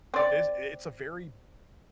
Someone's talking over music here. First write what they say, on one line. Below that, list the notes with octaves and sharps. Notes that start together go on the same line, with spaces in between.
this it's a very
C4 D5